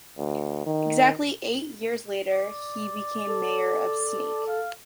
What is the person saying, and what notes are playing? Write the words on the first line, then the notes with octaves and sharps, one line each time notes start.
Exactly eight years later he became mayor of Sneek.
D2
D#3
D5
A4
F5